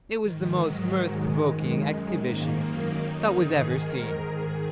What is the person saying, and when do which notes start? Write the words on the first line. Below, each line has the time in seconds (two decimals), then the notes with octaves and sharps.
It was the most mirth-provoking exhibition that was ever seen.
0.22 G#2 D#3
0.61 G#2 D#3 F#3
1.01 G#2 D#3 G#3
1.40 F#2 D#3 G#3
1.79 F#2 D#3
2.18 G#2 D#3 A#3
2.57 F#2 D#3 A#3
2.96 F#2 D#3 D#4
3.36 G#2 D#3 G#4
3.74 G#2 D#3 A#4
4.13 G#2 D#3 G#4